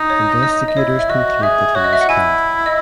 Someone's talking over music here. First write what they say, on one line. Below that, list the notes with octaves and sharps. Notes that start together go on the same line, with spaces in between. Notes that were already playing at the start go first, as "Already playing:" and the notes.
Investigators conclude that he was killed.
Already playing: D#4
C#5
D#5
D#5
E4 C#5
E5
F#4 D#5
G#4 E5
F#4 C#5
D#5
E5
F#5
E4 G#5
D#5